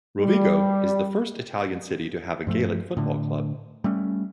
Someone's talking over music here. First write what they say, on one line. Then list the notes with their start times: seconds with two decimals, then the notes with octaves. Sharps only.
Rovigo is the first Italian city to have a Gaelic football club.
0.19 G3
2.47 G2 F3 A3
2.97 A2 D3
3.84 G3 A3 C#4